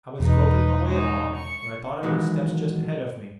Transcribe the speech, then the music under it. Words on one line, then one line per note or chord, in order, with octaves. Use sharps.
I was groping my way along when I thought I heard steps just ahead of me.
E1 D#4 B4
F#2 G#3 D#4
C#6
D#3 E3 F#3 G#3